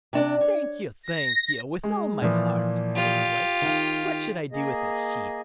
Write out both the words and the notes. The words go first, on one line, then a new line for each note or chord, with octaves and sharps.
'Thank you! thank you! with all my heart', cried his wife; 'what should I do with a sheep?
C3 D4
C#5
A#6
G#3
A#2 E3 F3
F4 G4
D#3 F5
A#3 G#4 D#5